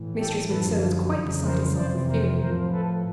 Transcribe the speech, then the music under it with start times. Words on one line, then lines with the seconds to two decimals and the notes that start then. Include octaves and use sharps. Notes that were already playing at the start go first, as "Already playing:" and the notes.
Mistress Monceux was quite beside herself with fury.
Already playing: A2 E3
0.18 G4 A4
0.49 F#2 D3 F3 A4 B4
1.13 F2 C#3 E3
1.45 A#4 C5
1.76 F2 C3 E3 C5 D5
2.08 A#4 C5
2.40 A2 F3 A#4 C5
2.71 A4 B4